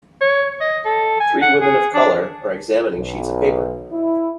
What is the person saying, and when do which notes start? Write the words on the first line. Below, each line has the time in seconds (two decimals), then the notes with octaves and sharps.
Three women of color are examining sheets of paper.
0.21 C#5
0.61 D#5
0.85 A4
1.20 G#5
1.42 F#5
1.61 G#4
1.94 D4
2.97 B1
3.92 E4